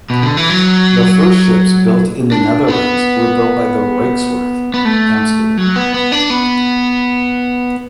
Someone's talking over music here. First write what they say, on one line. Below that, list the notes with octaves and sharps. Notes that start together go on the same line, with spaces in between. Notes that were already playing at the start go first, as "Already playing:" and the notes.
The first ships built in the Netherlands were built by the Rijkswerf Amsterdam.
B2
D3
E3
F#3
D4
B3
B3
A3
F#3
B3
B3
D4
B3